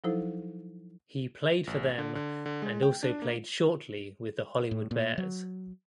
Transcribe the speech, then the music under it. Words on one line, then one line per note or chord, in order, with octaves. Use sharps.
He played for them and also played shortly with the Hollywood Bears.
F3 F#3 D#4 E4 A4 C5
A1
D3
D3
D3
G#3
G5
D4
A#3
A2
A#2
F#3